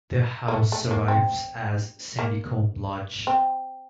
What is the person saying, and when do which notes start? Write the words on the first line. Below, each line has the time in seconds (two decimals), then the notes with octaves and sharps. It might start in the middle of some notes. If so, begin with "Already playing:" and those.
The house survives as Sandycombe Lodge.
0.48 A#3
0.54 A3
0.72 A3
0.91 A#3
1.08 C4
2.19 A#3
3.27 C4